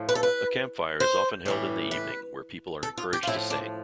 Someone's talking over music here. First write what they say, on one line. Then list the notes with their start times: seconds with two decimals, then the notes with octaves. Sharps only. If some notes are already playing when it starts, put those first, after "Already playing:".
A campfire is often held in the evening where people are encouraged to sing.
Already playing: A2 F3
0.09 B4
0.15 A4
0.23 B4
1.00 C5
1.46 A2 E3 G3
1.91 B4
2.83 A4
2.98 F4
3.13 G4
3.23 F4
3.27 A2 F3 E4
3.50 D4